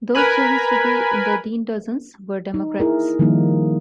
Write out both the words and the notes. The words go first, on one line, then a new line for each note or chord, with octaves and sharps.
Those chosen to be in the Dean Dozens were Democrats.
A#4 B4 G#5 B5
D#4
E4 G#4 A#4
D#3 F3 G3 A#3 D#4